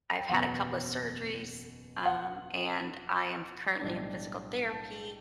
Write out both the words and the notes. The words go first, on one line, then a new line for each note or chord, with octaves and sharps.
I've had a couple of surgeries, um, and I am currently in physical therapy
G5
F#1 E2 B2 F#5
F#5
B1 A2 G3 D4
A5